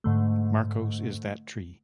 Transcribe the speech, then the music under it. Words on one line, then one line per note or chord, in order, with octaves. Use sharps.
Markos is that tree.
G#2 D3 A3